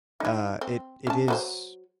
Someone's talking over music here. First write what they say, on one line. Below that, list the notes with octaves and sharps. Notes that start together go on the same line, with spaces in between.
uh, it it is,
D#4 E4
C4
C#4 A5
F#3 B4 C5